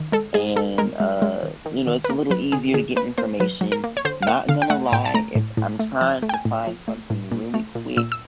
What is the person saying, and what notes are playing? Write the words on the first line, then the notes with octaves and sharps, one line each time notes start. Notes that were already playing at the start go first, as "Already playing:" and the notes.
and, uh, you know, it's a little easier to get information. Not gonna lie, if I'm trying to find something really quick,
Already playing: D#3
G#3 A4
G#3 G#4
G#3 A4
G#3 A#4
G#3
G#3
D#3
D#3
D#3
B4
A#3 A#4
F#3 B4
D3 G#4
D3 G#4
A#3 B4
A#3 C5
F#3 B4
F#3
A#4
A#3
C#5
D3 C5
F5
A#3 F#5
D3 F5
G5
A3 F#5
A2 G5
A5
A3 A#5
A2
A2
A3
F3 A5
A3
G5
G#5
A2
F3
A3
A2
A#2
A3
A#2
A#2 E6
E6